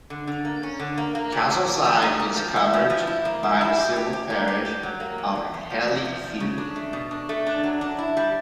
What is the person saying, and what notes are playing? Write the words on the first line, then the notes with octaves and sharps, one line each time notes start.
Castleside is covered by the civil parish of Healeyfield.
D3
D3
A#3
C#4
D3
A#3
A#3
A#2
A#2
A#3
G3
D#4
A#3
F3
E4
F3
F3
E4
A#3
F3
E4
G4
G4
G4
A#3
G4
G4
F#3
A#3
E2
E2
E2
F3
E2
F3
F3
C#3
D4
A3
B2
D4
A3
D4
F#3
D4
E4
G3